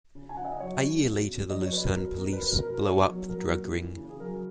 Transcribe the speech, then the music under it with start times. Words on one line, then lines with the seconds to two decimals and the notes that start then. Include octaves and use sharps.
A year later the Lucerne police blow up the drug ring.
0.15 C#3
0.29 G#5
0.37 C#3 F#5
0.45 E5
0.52 D#5
0.60 F#3 C#5
0.82 C#3
1.04 B2
1.28 B2
1.50 F#3 D#5
1.62 C#5
1.72 F#3 B4
1.84 A#4
1.95 B2 A#4
2.17 B2 A#4
2.33 B4
2.39 B2 A#4
2.51 A#4
2.62 B2 A#4
2.74 A#4
2.85 B2 C#5
3.08 F#3
3.29 F#3 A#4
3.52 A#2
3.74 E3
3.97 C#3
4.09 G#4
4.20 F#3 A#4